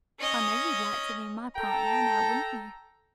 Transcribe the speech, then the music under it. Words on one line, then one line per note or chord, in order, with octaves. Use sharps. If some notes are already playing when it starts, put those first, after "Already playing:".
I know you'd like to be my partner, now wouldn't you?
C#4 D#5
A4 G5 A#5